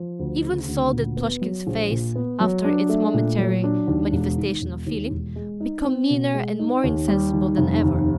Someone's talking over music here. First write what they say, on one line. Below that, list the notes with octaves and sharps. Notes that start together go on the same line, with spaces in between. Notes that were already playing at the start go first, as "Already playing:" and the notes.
Even so did Plushkin's face, after its momentary manifestation of feeling, become meaner and more insensible than ever.
Already playing: F3
D2
C#3
D2
A#2
B3
F#3
A#1
A#2
B3
F#3
D4
A3
A#2
F#3
D4
D#2
E1
D#3
E1
D#2
E1
G#3
D#4
C4
B2
G#3
D#4
D#2
G3
D#3
F1
D#2